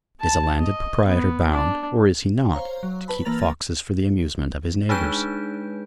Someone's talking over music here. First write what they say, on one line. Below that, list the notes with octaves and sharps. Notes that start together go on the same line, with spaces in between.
Is a landed proprietor bound, or is he not, to keep foxes for the amusement of his neighbours?
A5
D#5
B3
D4
C5 C#5 F5 A#5
F#3
B4 A5 B5
E3 A#3 B4 A#5 A6 F7
G#3 D4 D#4 G#4 B4 G6